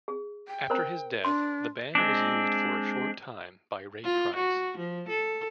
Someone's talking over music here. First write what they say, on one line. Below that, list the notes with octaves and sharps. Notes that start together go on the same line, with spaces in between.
After his death, the band was used for a short time by Ray Price.
G#4
G5
A#4 C5 A#5
D4 C6
G#3 C4 D4
F4
F#4
F3
A4